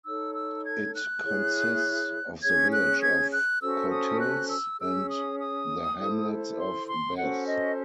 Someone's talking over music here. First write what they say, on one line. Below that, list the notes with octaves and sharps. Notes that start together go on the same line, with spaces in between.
It consists of the village of Curtilles and the hamlets of Bez.
D#4 A4 C#5 E6
E6
G#6
F#6
E4 G#4 C#5
C#4 G#4 C#5 G#6
F#6
G#6
F#6
C#4 F#4 A4 C5 E6
D#6
F#6
E6
C#4 G#4 C#5 E6
D#6
D#6
E4 A4 C5
C6
C6
C#4 F#4 A4 C5 F#5
D#5